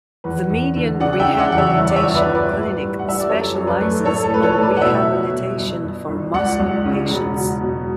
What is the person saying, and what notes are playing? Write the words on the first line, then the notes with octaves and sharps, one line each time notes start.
The Median Rehabilitation Clinic specializes on rehabilitation for Muslim patients.
E2 B4
E2
D3
C#3 D5 F#5
F#5
E5 G5
C#3
D5 F#5
E2 F#5
C#5 E5
G1
D5
C#5 E5
G1
B4 D5
G1
B4 D5
A2 B4
G3
F#5
G3 E5
D5
F#2 A4 C#5
F#2
B4 D5
A3
A2 A4 C#5
A4
A3 B4
A4 C#5
A2
B4 D5
F#5
B2 C#5 E5
F#3
B2
G1
G1
G1
C#2 D5 F#5
C#2
C#3
E1
F#3
B2